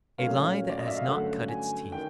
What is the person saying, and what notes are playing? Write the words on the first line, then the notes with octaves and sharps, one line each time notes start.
A lie that has not cut its teeth.
A#2 F#3 A3 C#4 F5
D5
D#5
E5
F5
G2 D3 F#3 A3 C#4 F#5
G#5
D#3 G5